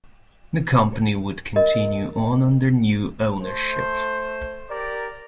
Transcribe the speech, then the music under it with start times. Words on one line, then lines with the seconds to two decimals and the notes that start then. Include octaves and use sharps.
The company would continue on under new ownership.
1.56 A#4 D#5
3.40 A3 C5
4.70 G4 A#4 D5